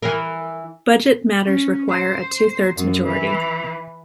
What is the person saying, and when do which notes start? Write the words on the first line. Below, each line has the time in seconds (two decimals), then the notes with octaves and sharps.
Budget matters require a two-thirds majority.
0.02 E3 A#4
1.45 C#4
1.89 C5
2.76 F#2
3.06 E3